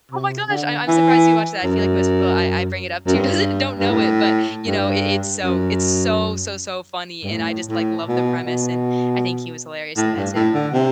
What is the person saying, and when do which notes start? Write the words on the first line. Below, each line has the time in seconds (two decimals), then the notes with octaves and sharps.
oh my gosh, I I'm surprised you watched that, I feel like most people I I bring it up to doesn't don't know it, but, you know, it it's so it's so, so, so funny, and I just, like, love the premise and I think he was hilarious in that too.
0.12 C3
0.50 D3
0.88 E3
1.63 F#2
3.07 F#2
3.15 G2
3.79 G2
3.91 A2
4.67 G2
5.43 F#2
7.24 G2
7.32 A2
7.70 A2
8.08 B2
8.46 B2
9.97 A2
10.16 G2
10.35 A2
10.54 D3
10.73 C3